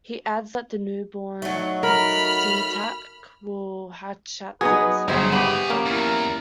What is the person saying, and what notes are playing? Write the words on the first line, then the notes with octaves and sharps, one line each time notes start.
He adds that the newborn Sleestak will hatch at sunset and eat their father.
F#3 A3 D#4
A#4 B5 F6
F#3 B3 D#4 G#4 B4
G1 G#2 C#3 F#3 G#4 C5 E5
B3 G4 G#5 B5
A#3 C#4 D6
E2 E3 E4 A#4